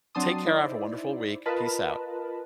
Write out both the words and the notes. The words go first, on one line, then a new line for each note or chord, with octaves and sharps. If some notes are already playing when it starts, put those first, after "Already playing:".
Take care, have a wonderful week, peace out.
F#3 C4 D4 A5 C6 D#6
D#4 E4 C5 D5
F4 A#4 B4 D#5 A5 B5